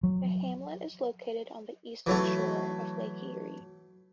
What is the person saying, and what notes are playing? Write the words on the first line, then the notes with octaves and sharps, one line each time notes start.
The hamlet is located on the eastern shore of Lake Erie.
F#3
E3 F#3 A3